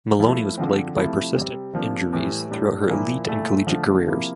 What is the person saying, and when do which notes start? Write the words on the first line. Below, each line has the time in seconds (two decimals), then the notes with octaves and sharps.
Maloney was plagued by persistent injuries throughout her elite and collegiate careers.
0.19 F3 A3 E4
0.58 D3 F3 C4
0.96 C3 F3 A3 E4
1.35 C3 G3 C4
1.73 C3 F3 A#3 D4
2.13 A2 E3 G3
2.51 A2 G3 D4
2.90 A#2 F3 A#3 E4
3.28 A#2 A3 E4
3.67 D3 F3 A3
4.06 C3 F3 A#3 E4